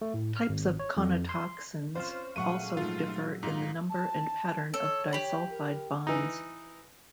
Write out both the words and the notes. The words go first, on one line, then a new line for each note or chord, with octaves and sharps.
Types of conotoxins also differ in the number and pattern of disulfide bonds.
A3
A2
F6
G#1
C#5
F2
C6
C4 C#4 F4 C5 F6
A#2 F#3 G#3 A3 F5 F#5 C#6 D#7
G#2 F3 A3 F4
E5
G#2 D#4 F4 A4 A#5
A5
A4 C#5
G4 B5
A#4
E3 D#4